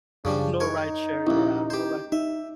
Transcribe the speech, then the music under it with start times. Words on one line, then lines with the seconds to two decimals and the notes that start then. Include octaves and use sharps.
no rideshare, yeah, no ri
0.25 F#2 C#3 F3 G3 D4
0.60 D#4 A#4 C#5
1.27 A#1 D#2 C#4 E4
1.70 G4 C5
2.12 D#4 E5